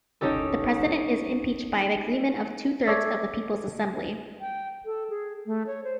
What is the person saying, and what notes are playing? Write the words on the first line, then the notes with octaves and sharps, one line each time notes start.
The President is impeached by the agreement of two-thirds of the People's Assembly.
C#4 D#4 G4 A4
A4 C#5 D5 E5
G5
A4
G#4
A3
C#5
C5